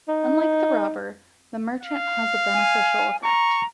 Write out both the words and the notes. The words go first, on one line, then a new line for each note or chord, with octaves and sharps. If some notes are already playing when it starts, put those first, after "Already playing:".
Unlike the robber, the merchant has a beneficial effect.
D#4
F5
G#5
A#5 C#6